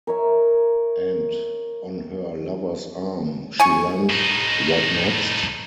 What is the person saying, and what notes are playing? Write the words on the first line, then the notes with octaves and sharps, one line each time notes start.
"And on her lover's arm she leant" — what next?
A#4 C#5 E5
G#5 C#6
A2 D#4